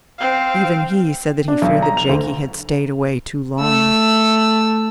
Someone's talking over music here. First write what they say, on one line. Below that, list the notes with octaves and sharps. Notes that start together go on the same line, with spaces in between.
Even he said that he feared that Jakie had stayed away too long.
C4 F5
D4
B1
A#5
F7
D2
A3 E6